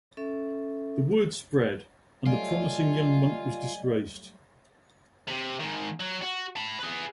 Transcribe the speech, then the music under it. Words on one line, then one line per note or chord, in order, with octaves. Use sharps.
The word spread, and the promising young monk was disgraced.
C#4 A4 E5
F#3 G3 A3 F4 D5 D#5 G#5
C3
G#2 D#3
F#3
F#4
A5 B5
G#4 B4